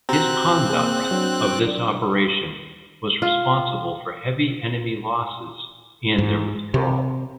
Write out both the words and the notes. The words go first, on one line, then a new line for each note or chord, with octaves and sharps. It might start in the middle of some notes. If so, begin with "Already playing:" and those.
His conduct of this operation was responsible for heavy enemy losses and their withdrawal.
C4 F#4 G4 A#5 F#6
A#3 G#4
F#3 D4
F4
G#2
C3